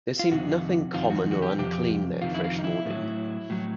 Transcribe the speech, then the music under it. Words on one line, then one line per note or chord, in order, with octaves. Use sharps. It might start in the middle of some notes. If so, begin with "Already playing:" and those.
There seemed nothing common or unclean that fresh morning.
F4
F2 C3 D#3 F#4
F2 C3 D#3 F4
F#4
F#4
G4
F2 C3 G4
F2 C3 D#3 F4
E4
F4
D#4
E4
A2 F#3
A2 F#3